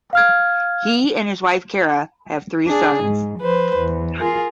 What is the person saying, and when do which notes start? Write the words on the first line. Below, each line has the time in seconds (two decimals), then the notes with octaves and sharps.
He and his wife Kara have three sons.
0.13 F5 F6 G#6
2.67 D4 G#4
3.04 G#2
3.38 F3 B4 C5
3.77 E2
4.19 F4 G#4 A#4